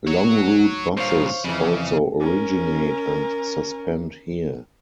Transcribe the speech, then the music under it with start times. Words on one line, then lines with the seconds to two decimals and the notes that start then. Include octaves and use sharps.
Long route buses also originate and suspend here.
0.07 F#4 C#5
0.97 G2 A#2 C5 C#5 F5
1.44 F2 C#3 E3
2.20 C#4 A#4